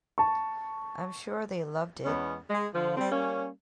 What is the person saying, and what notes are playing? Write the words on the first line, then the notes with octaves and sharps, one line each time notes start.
I’m sure they loved it.
A5 C#6
E2 G#3 B3 C#4
G#3
D3 F3
G3 C4
G3 A#3 C#4